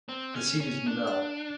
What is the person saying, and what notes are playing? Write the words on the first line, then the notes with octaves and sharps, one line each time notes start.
The seat is Nouvelle.
C4
C#4
C#4
D4